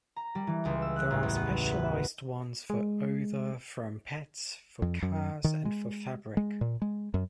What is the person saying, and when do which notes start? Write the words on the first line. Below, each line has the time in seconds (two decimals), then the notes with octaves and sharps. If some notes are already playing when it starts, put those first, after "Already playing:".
There are specialized ones for odor from pets, for cars, and for fabric.
0.16 A#5
0.35 G3
0.47 E3
0.65 C#2
0.82 E6
0.96 F#6
1.11 A1
1.23 E2
1.36 B3
1.71 B4
2.70 G#3
4.82 F2
5.02 F#2
5.44 D#3
5.65 G#3
6.37 G#3
6.61 A#2
6.82 G#3
7.14 F#2